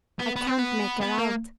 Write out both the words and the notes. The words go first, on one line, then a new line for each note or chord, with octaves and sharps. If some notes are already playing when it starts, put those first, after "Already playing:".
I can't make her out.
B3
B3
C4
B3
B3
A#3